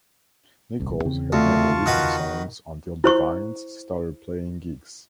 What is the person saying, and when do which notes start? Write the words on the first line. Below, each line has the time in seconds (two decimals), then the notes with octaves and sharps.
Nicholls had never written songs until The Vines started playing gigs.
0.80 D#1 C2
1.05 E2 C#3 C4
1.32 D2 F4 A5 C#6
1.86 D#3 F#4 B4
3.04 E4 C5 C#6